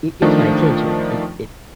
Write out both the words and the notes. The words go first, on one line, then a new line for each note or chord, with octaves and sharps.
it gets my attention. It it
D#3 F3 A3 D4